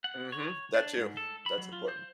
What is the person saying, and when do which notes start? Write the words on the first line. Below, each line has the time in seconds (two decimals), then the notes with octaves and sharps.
Mhm. That too. That's important.
0.04 F#5
0.32 C#5
0.74 D4
0.97 G#2
1.17 A4
1.46 B5
1.58 F#3
1.73 F4
1.88 C5